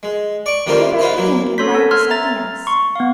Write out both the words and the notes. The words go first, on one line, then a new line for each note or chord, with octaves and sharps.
I had better think and write of something else.
G#3
D5 C#6 D6
D3 G3 A#3 D#4 F4 C5
E4 F4 B4 C5 D#5
F#3 A#3 E4
C#4 A4 C#5 C6 G6 B6
A4 A#4
C6 E6 F6 G#6
E5 A#5 A6
C6 C#6
B3 F5